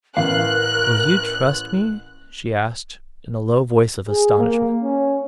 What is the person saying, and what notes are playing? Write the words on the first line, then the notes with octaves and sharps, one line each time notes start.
'Will you trust me?' she asked, in a low voice of astonishment.
A1 E3 A#4 F5 F#6
G#4
A#3
C#4